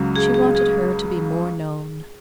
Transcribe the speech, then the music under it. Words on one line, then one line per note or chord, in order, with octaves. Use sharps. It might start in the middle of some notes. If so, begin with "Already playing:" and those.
She wanted her to be more known.
Already playing: C#2 C#3 F#3
G#4
G#4
G#4